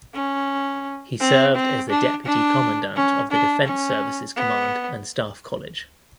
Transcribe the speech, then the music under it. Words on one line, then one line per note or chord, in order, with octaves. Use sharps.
He served as the Deputy Commandant of the Defence Services Command and Staff College.
C#4
C4
C4
D4
D4
C#4
D4
C#4
B3